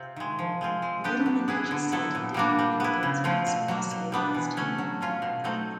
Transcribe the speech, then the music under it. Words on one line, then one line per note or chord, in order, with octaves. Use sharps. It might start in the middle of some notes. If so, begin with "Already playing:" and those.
Needleman later said he did not think there was a conspiracy against him.
Already playing: C3 C4 F4
D#3 G#3
F3
G#3 C4 F4
G#3
B3 D4 G4
F#3
B3 E4 G#4
D3
F#3 B3 E4 A4
A#2
G3 A#3 D4 F#4
G3
B3 E4
C#3
F3 A3 C4 F4
B2
F#3 A#3
B2
G3 B3 D4
E3
A3 C#4
F#3
A3 C#4 F4
B2
F#3 A3 C4 D#4